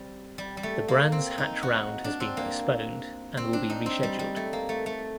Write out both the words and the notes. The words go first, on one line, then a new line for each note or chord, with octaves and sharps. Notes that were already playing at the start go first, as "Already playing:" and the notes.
The Brands Hatch round has been postponed and will be rescheduled.
Already playing: G3 C4
G3
G3
A3
A#3
C4
D#4
F#4
D4
C4
A#3
C4
D4
D#4
C4
G3
G3
A3
A#3
A3
A3